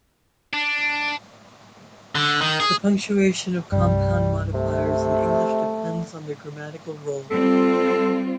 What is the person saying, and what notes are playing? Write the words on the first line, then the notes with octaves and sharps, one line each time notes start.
The punctuation of compound modifiers in English depends on their grammatical role.
D4
D3
D#3
G#4
C2 G2 G3
C3 A3
G3 C4 F4 A4